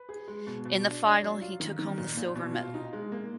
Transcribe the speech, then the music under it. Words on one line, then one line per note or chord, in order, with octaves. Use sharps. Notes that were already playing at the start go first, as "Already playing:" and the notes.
In the final he took home the silver medal.
Already playing: B4
G#4
G#3
B2
B2
D4
D4
F#3
F4
D#3
D#3
A#2
A#2
B2
F4
D#4
G#3
A#3